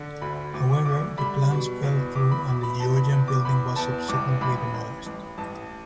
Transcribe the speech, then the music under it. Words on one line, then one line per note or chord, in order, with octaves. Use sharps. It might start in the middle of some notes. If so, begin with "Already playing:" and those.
However, the plans fell through and the Georgian building was subsequently demolished.
Already playing: D3
D2 B5
D2 D6
D6
D3 D6
G3 B5
B2
E2
E2 D6
B5
B2 B5
B5
E2 A5
B5
E2 B5
D6
E2 B5
E2 A5
A1 D6
A1 B5
A1
A1
A1 A5